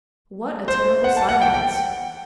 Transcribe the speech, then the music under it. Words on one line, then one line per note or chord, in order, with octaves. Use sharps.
What a terrible silence!
C5
F#5
A5
F#5
G5
G5